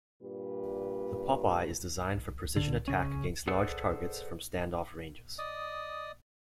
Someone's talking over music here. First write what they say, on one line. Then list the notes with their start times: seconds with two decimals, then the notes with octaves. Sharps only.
The Popeye is designed for precision attack against large targets from stand off ranges.
0.23 G2 A#2 G4 B4
2.56 D3
2.88 C#3 C#4
3.48 G#4 A4 B4 C5 D5 F#5
5.38 D5 D#5 D#6